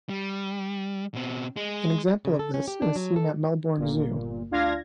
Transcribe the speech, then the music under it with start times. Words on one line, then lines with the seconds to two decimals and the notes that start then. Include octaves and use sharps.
An example of this is seen at Melbourne Zoo.
0.09 G3
1.15 B2 C4
1.56 G#3
2.25 C#3
2.39 A4
2.54 C#4
2.68 G4
2.82 D4
2.96 F#3
3.16 A4
3.77 G1 A#2
4.51 D2 D4 F4 F5 G#6 A#6